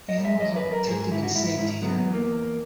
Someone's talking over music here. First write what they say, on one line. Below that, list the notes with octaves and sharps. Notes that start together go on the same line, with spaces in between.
Animals are "protected and saved" here.
D#5
F#2
E5
F#2 D#5
B4
F#2
A#4
G#2 G#4
G#4
G#2 E4
F#4
G#2 E4
E4
G#2 E4
F#3 B3
B3
E2
A#3
E2